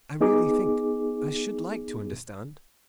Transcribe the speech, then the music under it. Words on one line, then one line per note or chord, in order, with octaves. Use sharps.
"I really think I should like to understand."
B3 D#4 G#4 D6